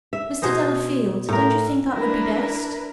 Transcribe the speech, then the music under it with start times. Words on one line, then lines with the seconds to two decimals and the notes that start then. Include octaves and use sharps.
Mr. Delafield, don't you think that would be best?...
0.13 E5
0.42 B2 G#4 C5 D#5
1.29 A2 A#4
1.91 D4 E4 A#4 B4